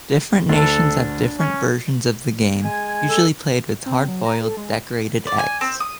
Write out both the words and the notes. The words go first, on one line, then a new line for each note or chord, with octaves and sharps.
Different nations have different versions of the game, usually played with hard-boiled, decorated eggs.
D2 D4 A4
C#4
G#3 G#5
A4
C4
F#3
A#5
A4
G#3
D5
G#5
C4
D#6